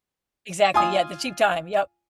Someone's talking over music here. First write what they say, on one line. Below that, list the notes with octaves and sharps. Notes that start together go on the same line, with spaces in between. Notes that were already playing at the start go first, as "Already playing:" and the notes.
Exactly, yeah, the cheap time yep.
F4 G#5 D#6